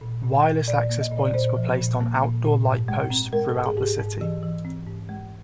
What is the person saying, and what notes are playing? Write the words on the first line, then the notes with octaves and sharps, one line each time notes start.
Wireless access points were placed on outdoor light posts throughout the city.
A#2
A#2
G5
A#2
A#2 D5
A#3
D#5
A#2
D5
A#2 C5
F3
A#2
A#3
A#2
A#2
G#2
G#3
C4
G#3 A#4
A4
G#2
G#4
G#2 G4
G#4
G#2
E3
E3
C4
G#2
G#3